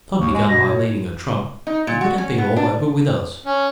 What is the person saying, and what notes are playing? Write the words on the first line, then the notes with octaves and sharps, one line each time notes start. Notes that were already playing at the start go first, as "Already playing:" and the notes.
If I'd begun by leading a trump it would have been all over with us.
D#2 C#6
G#3 G#5
B2 A#6
C#5
D#4
A#2
F#4
C#4
B3
D4
C#4